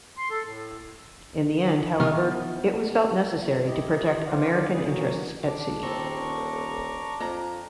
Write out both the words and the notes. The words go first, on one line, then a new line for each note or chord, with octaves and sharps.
In the end, however, it was felt necessary to protect American interests at sea.
C6
A4
A2
C3 E3 B3 E4 F6
G2
E4 G4 D#5
D3 C5 D5 F5 F#5
E3 G#4 B4
A#2 E3 F#3 F#4
D4 D6
D#1 C4 A4 A#5 C#6
F2 A#5